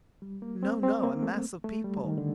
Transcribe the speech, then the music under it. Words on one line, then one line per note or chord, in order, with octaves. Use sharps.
"No, no; a mass of people."
G3
A#3
C4
C4
A#3
A3
A3
G3
D#3
D3